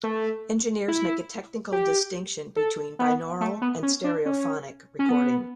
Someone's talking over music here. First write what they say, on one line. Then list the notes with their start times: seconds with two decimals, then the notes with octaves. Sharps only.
Engineers make a technical distinction between "binaural" and "stereophonic" recording.
0.03 A3
0.88 E4
1.72 G4
2.56 A4
2.99 B3
3.41 A3
3.62 B3
3.83 C#4
4.04 D4
4.26 C#4
4.99 C#4
5.09 B3